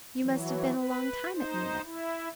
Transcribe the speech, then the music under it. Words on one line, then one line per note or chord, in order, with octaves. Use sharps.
You must have been a long time at Munich.'
E3 F#3
B4
D#4 C5
E4